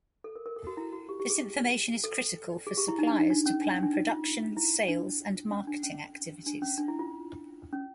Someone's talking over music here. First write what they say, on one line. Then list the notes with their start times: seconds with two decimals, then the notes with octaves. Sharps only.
This information is critical for suppliers to plan production, sales and marketing activities.
0.24 A4
0.36 A#4
0.46 A#4
0.56 A4
0.67 F#4
0.77 E4
0.93 F#4
1.09 G4
1.20 G4
1.30 G#4
2.04 A4
2.67 G#4
2.77 G4
2.88 E4
2.99 D#4
3.09 D4
3.19 D#4
3.30 D4
3.46 C#4
3.62 D4
3.72 C#4
3.83 D4
3.93 D#4
4.09 F4
4.57 E4
4.88 D4
5.52 C#4
5.67 D4
5.83 C#4
6.46 D4
6.62 C#4
6.78 D4
6.88 E4
6.99 F4
7.73 C#4